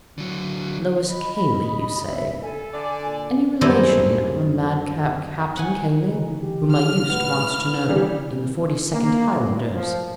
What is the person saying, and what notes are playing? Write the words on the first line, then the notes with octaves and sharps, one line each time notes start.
Lois Cayley, you say; any relation of a madcap Captain Cayley whom I used once to know, in the Forty-second Highlanders?'
D3 F#3
D#5 B5
G2 E5
A4 G#5
D3 D5
A#2
F#2 G3 C4 E4 A4 D#5
F#5 G#5
D2 C#3 E3 D#4
G4
F6
A2 G#3 B4 F#5
E4 A5
E3 G3 F5
D#3
A#3
A2
F3